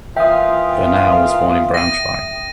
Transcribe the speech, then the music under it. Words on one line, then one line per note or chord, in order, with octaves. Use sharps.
Bernau was born in Braunschweig.
E3 A#3 F4 E5 G5 D#6
A#6 D#7